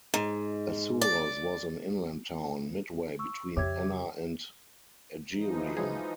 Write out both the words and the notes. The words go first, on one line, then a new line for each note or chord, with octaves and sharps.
Assorus was an inland town, midway between Enna and Agyrium.
G#2
D5
C#6 E6
F2 C#3 G4 C#5 E5 D6 G#6
E3 F3 D#4
F#3 G#3 G#4